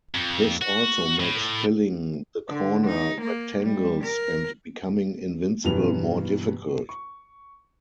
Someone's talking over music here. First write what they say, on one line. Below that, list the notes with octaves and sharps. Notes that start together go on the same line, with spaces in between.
This also makes filling the corner rectangles and becoming invincible more difficult.
F2
F#4
A2
D3
D#4
A#3
G3
A#4
G2 B2 E3 F#3 F7
C#6